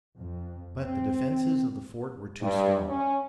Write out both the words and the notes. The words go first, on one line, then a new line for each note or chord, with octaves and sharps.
But the defenses of the fort were too strong.
F2
C4
G2
C#4